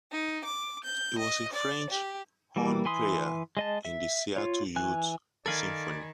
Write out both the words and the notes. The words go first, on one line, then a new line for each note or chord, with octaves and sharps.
He was a French horn player in the Seattle Youth Symphony.
D#4
D6
G6
D#5
D5
G4
E3 G3 A#3
E3 G#5 B5 C6 D#6
G#3 D#5 A5
E5
F4 C#5
E3 G#5 F#6
D#3 A4 A#4 D5 F5 G#5 B5 G#6